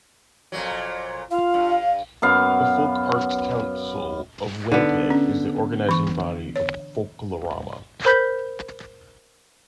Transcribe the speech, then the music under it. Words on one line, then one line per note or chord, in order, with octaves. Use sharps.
The Folk Arts Council of Winnipeg is the organizing body of Folklorama.
F2 A#2 F#3
F4 F5
G2
F#2 B3 F5
D3 B3 D#4
C#4
E3 C#6
C#5
A#4 C5 B5 G6 B6